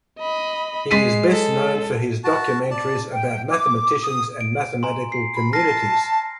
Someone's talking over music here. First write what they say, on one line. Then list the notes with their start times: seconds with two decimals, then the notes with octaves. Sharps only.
He is best known for his documentaries about mathematicians and mathematical communities.
0.19 D#5 B5
0.91 G#3 B6 C7 D#7
1.31 A4
2.24 F#4 A5
2.71 D5 A5
3.12 G5
3.50 D6
4.02 D#6
4.41 D7
4.83 G#5 A#5 C6
5.12 C7
5.36 B5
5.53 A5 F6 A#6 C7